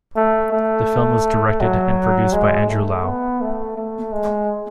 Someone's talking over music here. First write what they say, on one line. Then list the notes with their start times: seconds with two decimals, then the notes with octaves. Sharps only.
The film was directed and produced by Andrew Lau.
0.16 A3
0.52 A3
1.61 F#3
2.33 G#3
2.68 A3
3.04 B3
3.41 A3
3.77 A3
4.12 G#3